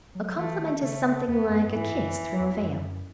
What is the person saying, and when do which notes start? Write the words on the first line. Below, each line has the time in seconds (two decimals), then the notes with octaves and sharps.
A compliment is something like a kiss through a veil.
0.15 F#3
0.37 E3 A3
0.59 D#3
0.82 C#3 A3
1.27 E2 B3
1.49 F#2
1.66 F#2
1.71 G#2 E3
1.94 F#2
2.39 E2
2.61 F#2